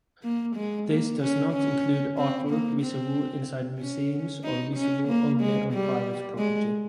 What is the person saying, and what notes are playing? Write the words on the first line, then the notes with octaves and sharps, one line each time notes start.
This does not include artwork visible inside museums or visible only on private property.
A#3
G#3
A#3
C#4
C#4
C4
A#3
C4
C#4
D#4
C#4
A#3
G#3
G3
G#3